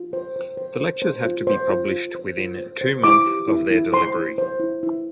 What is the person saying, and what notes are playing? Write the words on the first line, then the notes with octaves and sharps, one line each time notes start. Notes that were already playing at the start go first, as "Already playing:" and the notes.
The lectures have to be published within two months of their delivery.
Already playing: F4
C5
C5
C5
C5
C5
F4
C5
F4
F4
C5
F4
C5
C5
E4 D6
G4
E4
E4
C5 C6
E4
C5
E4
E4